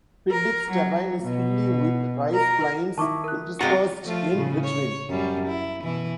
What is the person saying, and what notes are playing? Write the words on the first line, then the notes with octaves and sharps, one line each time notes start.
Piddig's terrain is hilly with rice plains interspersed in between.
A#4
F#3
B2
A#4
D#3 E4 A5 C#6 D6
A#4 F#6
C3 G#3 F4 F#4 A#5
F3 A3 F4
A2 C#3
C#5
F#2 G3
E4
B2 E3 E4